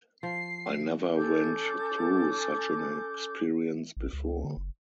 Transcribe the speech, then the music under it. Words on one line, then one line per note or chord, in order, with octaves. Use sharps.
I never went through such an experience before.
F3 C7
C#4 A4 D6 G6
A1
C#2
D3
F#1